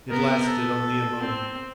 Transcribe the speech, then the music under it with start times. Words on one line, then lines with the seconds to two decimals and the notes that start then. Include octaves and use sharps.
It lasted only a moment.
0.10 B3 A#4
0.47 A4
1.19 C4